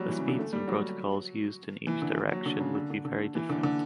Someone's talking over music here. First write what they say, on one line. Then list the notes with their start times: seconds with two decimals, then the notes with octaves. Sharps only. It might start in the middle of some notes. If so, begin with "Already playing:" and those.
The speeds and protocols used in each direction would be very different.
Already playing: F#3 G3
0.09 E3
0.18 C#3
0.28 D3
0.39 A3
0.53 G3
0.68 F#3
1.87 E3
2.02 D3
2.31 F#3
2.46 D3
2.60 C#3
2.75 D3
2.90 D3
3.05 D3
3.35 E3
3.50 D3
3.63 D3